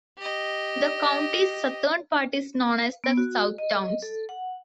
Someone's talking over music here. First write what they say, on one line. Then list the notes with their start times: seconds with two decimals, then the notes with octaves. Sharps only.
The county's southern part is known as the Southtowns.
0.19 G4 D#5
3.04 B3
3.17 F#4
3.58 D#5
4.02 A4
4.29 F#5